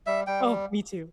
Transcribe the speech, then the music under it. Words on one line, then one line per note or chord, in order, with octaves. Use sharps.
Oh, me too.
G3 E5
G3 G5